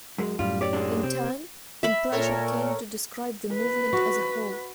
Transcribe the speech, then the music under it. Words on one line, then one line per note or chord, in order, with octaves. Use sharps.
In turn, impression came to describe the movement as a whole.
F#2 G#3
F#2 A2 G3 F4
G4 C#5 D5
D3 G#3 D4
C3 C4
E5 B5
A#2 A4 A#4 C#5
B4
F#4